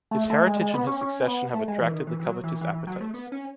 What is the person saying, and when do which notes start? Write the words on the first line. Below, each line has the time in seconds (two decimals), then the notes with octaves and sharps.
His heritage and his succession have attracted the covetous appetites.
0.11 A3
0.30 A3
0.47 G#3
0.61 G#3
0.74 B3
0.87 C#4
1.01 C#4
1.27 B3
1.54 A3
1.68 G#3
1.81 E3
1.93 D#3
2.07 E3
2.19 E3
2.25 F#3
2.43 E3
2.61 E3
2.73 E3
2.87 F#3
3.01 A3
3.14 B3
3.32 C#4